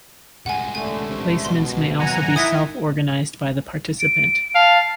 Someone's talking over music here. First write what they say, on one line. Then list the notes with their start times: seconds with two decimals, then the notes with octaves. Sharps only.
Placements may also be self-organised by the participant.
0.46 C2 G#3 F#5 G#5
0.75 D3 A3 G#5
1.08 C3
1.45 B2 C6
1.99 D#2 F#3 F#5 G#5 A#5
2.36 D#4 E4 A#4 D#6 G#6 B6
4.00 D7
4.55 F5 A5